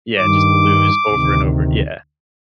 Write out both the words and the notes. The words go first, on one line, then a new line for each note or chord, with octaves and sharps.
Yeah, and just to lose over and over, yeah.
G2 D#3 D6
D2 C3 D#3